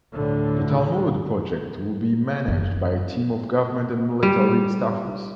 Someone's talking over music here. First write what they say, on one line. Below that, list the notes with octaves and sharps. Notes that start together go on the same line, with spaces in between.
The Talmud project would be managed by a team of government and military staffers.
D2 A2 D3
F#2 D#4
G3